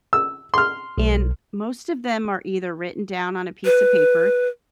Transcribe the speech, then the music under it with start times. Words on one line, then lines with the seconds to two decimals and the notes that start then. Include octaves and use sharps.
and most of them are either written down on a piece of paper,
0.13 E6
0.54 C6 F6
0.98 B1
3.65 B4